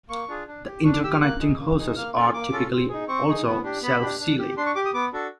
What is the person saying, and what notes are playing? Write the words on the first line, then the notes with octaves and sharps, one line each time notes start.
The interconnecting hoses are typically also self-sealing.
A#3 C#6
D4 F4 G#4
D4
G4
D4 C#6
D6
G4 E6
F6
A#3 F#6
D#4 G#4
A#3
D#4 G#4
A#3 F6
C#4 F4 A4
A#3 D6
C#4 F4 A4
C4
D#4 G#4
C4 C#6
D#4 G#4
B3
D4 G4
B3 B5
D4 G4
D4
G4
D4 C6
C#6
G4 D6
D#6
B3 D6
D4 F#4 A4